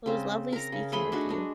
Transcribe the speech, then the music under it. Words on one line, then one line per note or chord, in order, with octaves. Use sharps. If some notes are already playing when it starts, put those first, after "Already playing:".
Well, it was lovely speaking with you.
C#3 C4
A#4 A#5
C#3
A3 G#4 B5 C6
D4 D#4 F#4
G#3 D4